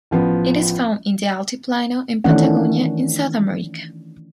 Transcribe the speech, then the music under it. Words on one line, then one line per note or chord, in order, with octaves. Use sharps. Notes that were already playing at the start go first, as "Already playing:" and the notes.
It is found in the Altiplano and Patagonia in South America.
A1 F3 B3
D#3 E3 A3 C#4 D4 F#5